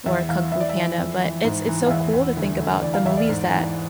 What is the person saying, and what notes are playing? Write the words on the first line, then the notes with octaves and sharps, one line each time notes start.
or Kung Fu Panda, but it's it's so cool to think about the movies that
E2 E5
E3 F5
E3 E5
D5
E5
E3
F2
E3
G#2
E3
F5
E2 E5
E2
D2
D2
E3 D5
F5
E2 E5
D5
G#2
E3